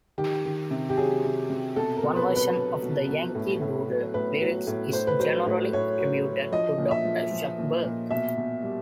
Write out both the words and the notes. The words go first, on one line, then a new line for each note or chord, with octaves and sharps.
One version of the Yankee Doodle lyrics is generally attributed to Doctor Shuckburgh.
D#3 G4
D#3
C3
G4
F#3 G#4
C3
C3
B2 A4
A#4
B2
B4
F#3
B4
F#3
B2
B2
A2
A2
F#3
A2 B4
F#3
A2
A2 C5
B4
F#3 C5
A2
A2 C#5
F#3
F#3
F3 D#5
A#2
E5
F3
F3
A#2
A#2
B2 E5
B2
G3